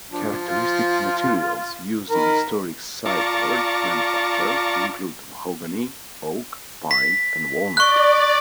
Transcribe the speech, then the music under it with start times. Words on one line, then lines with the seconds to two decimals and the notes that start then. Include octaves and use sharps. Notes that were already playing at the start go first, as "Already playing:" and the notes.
Characteristic materials used in historic sideboard manufacture include mahogany, oak, pine, and walnut.
0.12 F3 D4
0.45 F4
2.10 D#3 A#4 B5
3.06 F4 D5 A5 A#5 C#6
6.91 B6
7.77 D5 C#6 F#6